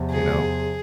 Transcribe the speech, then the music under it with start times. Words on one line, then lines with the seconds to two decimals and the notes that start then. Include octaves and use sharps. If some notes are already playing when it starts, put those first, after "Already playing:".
you know,
Already playing: E2 C3 F3
0.10 G#4